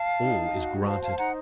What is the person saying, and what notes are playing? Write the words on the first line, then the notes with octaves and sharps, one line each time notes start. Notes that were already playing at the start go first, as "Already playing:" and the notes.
All is granted.
Already playing: F5 A5
D#4
F#4
C5 F5 A5
F5 A5
A5
D#4 F#5 A#5